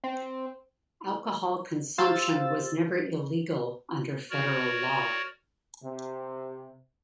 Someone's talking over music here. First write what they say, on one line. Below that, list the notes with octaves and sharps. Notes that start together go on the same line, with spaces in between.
Alcohol consumption was never illegal under federal law.
C4
F4 G4 C5 F5 E6 A6
F#4 A#4 C#5 D5
C3